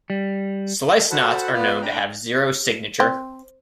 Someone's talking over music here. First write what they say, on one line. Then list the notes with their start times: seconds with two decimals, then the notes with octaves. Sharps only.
Slice knots are known to have zero signature.
0.10 G3
1.11 F#4 A4 C5 F#5 A5 B5
1.53 B3 F4 B4 D5
1.82 D4 G5 A#5 B5
3.00 C4